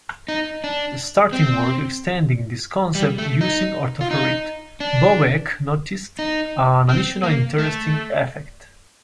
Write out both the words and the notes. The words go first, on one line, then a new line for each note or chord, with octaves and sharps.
Starting work extending this concept using orthoferrite, Bobeck noticed an additional interesting effect.
D#4
D4
C4
G3
A3
D#4
F4
D#4
D4
D#4
C4
A#3
A3